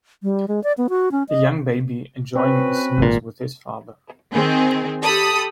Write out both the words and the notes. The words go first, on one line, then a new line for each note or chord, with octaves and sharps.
A young baby enjoying a snooze with his father.
G3
G#3
D5
B3
F#4
C#4
D#5
C4 C#4 F#4 B4
G#1 A#2
D#3 C4 G#4
G4 A4 B5 D#6